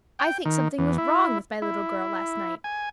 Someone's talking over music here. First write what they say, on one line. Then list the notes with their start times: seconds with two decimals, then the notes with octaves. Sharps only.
I think something was wrong with my little girl last night.
0.19 G5
0.45 D#3
0.78 E2
0.98 E4
1.62 E4
2.64 G#5